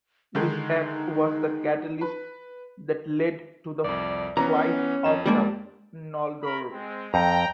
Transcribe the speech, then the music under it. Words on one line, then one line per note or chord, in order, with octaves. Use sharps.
This act was the catalyst that led to the Flight of the Noldor.
D3 D#3 G#3 D#4
B4
C2 F2 D5
E3 B3 C#4 A#5
F2 E7
G3 G#3 A#3 D4
A#4 B5
G#3 C4
F2 G5 A#5